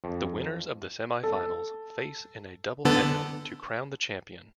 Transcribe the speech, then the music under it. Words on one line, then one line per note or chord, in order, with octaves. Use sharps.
The winners of the semifinals face in a double header to crown the champion.
F2
A4
D3 B3 A4